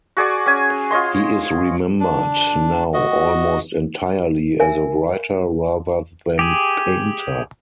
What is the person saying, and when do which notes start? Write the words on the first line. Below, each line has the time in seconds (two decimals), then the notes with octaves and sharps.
He is remembered now almost entirely as a writer rather than painter.
0.17 F#4 G#4 D5 C#6
0.46 C#4 G#5
0.91 F4 C#5 D#5 C6
2.00 D4
2.94 F#4 D#5
4.60 A#4 E5 G#5
6.39 G4 G#4